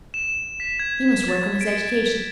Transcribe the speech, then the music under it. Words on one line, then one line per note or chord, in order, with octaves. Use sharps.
He must work on his education.
E7
B6
G#6
A6
D7